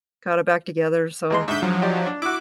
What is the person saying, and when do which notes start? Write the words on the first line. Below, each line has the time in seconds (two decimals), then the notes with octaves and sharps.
got it back together, so
1.30 D#2 G#3 C6
1.48 G#2 D3 E5 G6
1.62 F3 F#3
1.82 D#4 G4 D5
2.06 D4
2.22 E4 F#4 D6